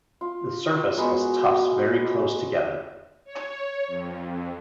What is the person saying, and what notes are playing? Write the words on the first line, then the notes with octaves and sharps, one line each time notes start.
The surface has tufts very close together.
F4
G#3 B3 F#4 A#4
G#5
C#5
F2